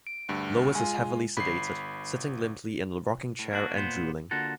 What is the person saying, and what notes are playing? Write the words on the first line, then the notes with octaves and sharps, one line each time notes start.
Lois is heavily sedated, sitting limply in a rocking chair and drooling.
D7
D2 G2
G#3 F4 G#5
G1 B5 B6 C7
A2
A#3 D4 F#4
A#2 B3 C5
D3 A#3 F4 F#4 A4